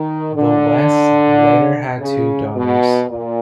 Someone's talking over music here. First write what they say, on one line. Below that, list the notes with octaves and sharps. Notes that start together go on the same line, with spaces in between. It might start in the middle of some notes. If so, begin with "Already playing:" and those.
The Wests later had two daughters.
Already playing: D#3
D3
C#3
B2
A#2